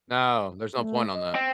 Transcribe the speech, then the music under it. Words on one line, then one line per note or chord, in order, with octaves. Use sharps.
No, there's no point on that.
A3
D#5
C4